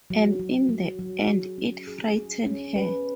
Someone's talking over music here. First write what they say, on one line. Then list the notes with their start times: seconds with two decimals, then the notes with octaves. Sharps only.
And in the end it frightened her.
0.10 F#3
0.39 F#3
0.69 F#3
0.99 F#3
1.29 G#4
1.58 C#4
1.88 G#4
2.17 G#4
2.46 C#4
2.76 B4